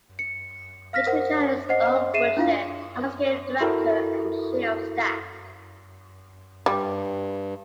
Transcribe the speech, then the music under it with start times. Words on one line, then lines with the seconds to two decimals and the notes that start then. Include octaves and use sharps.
Each region has its own budget, administrative director and chief of staff.
0.19 C#7
0.93 F5 F6 A#6 B6
1.07 A#4 C5 F#5
1.69 C5 D#5 F#5 C7
2.14 G#4 E5 C7 D#7 E7
2.37 D4 E4 F4 F5
3.61 E4 F#4 A4 A#4
6.66 G2 G3